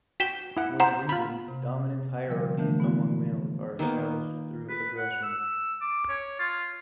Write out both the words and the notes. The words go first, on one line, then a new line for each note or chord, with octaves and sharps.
When breeding, dominance hierarchies among males are established through aggression.
F#4 G5 B6 E7 G7
E4 F#5
C5 F#5 A#5
F4 B5
C3
D3 F3 G3 A#4
D3 E3 A3 D4
B3 E4 F#4
D#3 A#3 B3
B4
F#5
E6
D6
C#5
F4